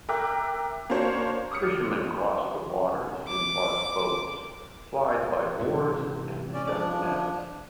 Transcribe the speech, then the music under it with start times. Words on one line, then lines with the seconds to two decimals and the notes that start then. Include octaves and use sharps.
Fishermen crossed the waters in bark boats plied by oars, and set nets.
0.09 A#4 E5 G5 D6 F#6
0.90 A#3 D4 F#4 C5 C#5
1.51 D6 D#6 F6 C#7
3.28 D6
5.59 G#2 C3 E3
6.54 C#4 D5
6.68 F3 D4 D5